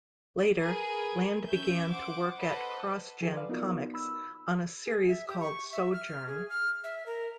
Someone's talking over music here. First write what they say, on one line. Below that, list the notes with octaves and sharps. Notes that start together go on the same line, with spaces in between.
Later, Land began to work at CrossGen Comics, on a series called "Sojourn".
G#4 A#4 B4
C#4 E5 G6
C5 F#5 D6
A4 B4 C5 D#5 F#5
F3 G#4 A4
B4 D5 F5
B3 D#4 F4 F#4 A#4
B5 E6
G#4
E5
G4
C#6
E5
F6
G#4
F6
E5
A#4